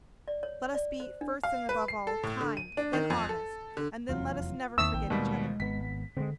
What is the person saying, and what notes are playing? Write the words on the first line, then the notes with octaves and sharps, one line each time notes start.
Let us be, first and above all, kind, then honest and then let us never forget each other!
D5
C#5
D5
C5
D4
F5
B4
C7
A4
A2
D3
D#7
D4
D#3
F2
A4
D3
F1 E2 F#3 F4
E2 D#3 A#3 C4 E5 C#6 D#6 E6
A#1 G5
D#2 B2 G3 G#3
G#1 B3 B6
D3 G#3 A#3 C4